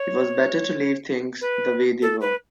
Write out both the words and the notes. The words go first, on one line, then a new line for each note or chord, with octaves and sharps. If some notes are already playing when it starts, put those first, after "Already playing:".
It was better to leave things the way they were.
Already playing: C#5
B4
A4
B4